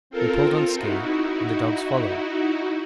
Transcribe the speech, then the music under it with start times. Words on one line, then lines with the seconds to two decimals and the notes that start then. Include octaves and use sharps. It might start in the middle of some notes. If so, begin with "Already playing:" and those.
We pulled on ski and the dogs followed.
0.10 C4 F4 A4 A#4
0.75 D#4 E4 F#4